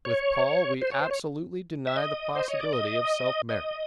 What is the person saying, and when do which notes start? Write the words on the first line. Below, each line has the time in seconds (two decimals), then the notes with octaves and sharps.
With Paul we absolutely deny the possibility of self merit.
0.05 C#5
0.82 C5
0.91 C#5
1.01 C5
1.11 C#5
1.87 E5
1.96 D#5
2.35 C5
2.48 C#5
2.60 D5
2.73 D#5
3.49 D#5